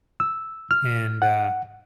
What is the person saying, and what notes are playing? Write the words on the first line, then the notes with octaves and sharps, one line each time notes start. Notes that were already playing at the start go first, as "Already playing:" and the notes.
And, uh.
E6
F6
F#5